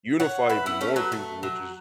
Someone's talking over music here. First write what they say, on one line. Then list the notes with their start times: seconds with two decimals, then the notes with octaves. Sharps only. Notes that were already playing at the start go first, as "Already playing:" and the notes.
unify even more people, which is
0.20 C#5 F#5
0.49 B4 E5
0.66 B3 E4
0.81 A3 C#4
0.96 F#3 B3
1.12 A3
1.43 F#3